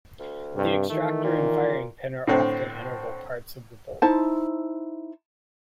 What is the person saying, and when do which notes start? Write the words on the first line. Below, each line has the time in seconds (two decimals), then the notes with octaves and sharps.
The extractor and firing pin are often integral parts of the bolt.
0.19 D2
0.54 G2 C3
0.89 D#3 E3 A3
1.24 A#2
2.27 A2 D3 C4
4.02 D#4 E4 C5 A5